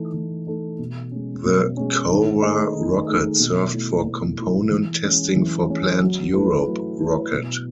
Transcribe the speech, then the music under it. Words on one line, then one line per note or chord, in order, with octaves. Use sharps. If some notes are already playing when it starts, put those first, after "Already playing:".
The Cora rocket served for component testing for planned Europe Rocket.
Already playing: E3 A3 D#4 A4
E3
A3 D#4 A4
B2
G#3 C#4
B2
G#3 C#4
D#3
A3 D#4 G#4
D#3
A3 D#4 G#4
B2
A3 E4
B2
A3 E4
E3
G#3 C#4
E3
G#3 C#4
F#3
A3 E4 B4
F#3
A3 E4 B4
B2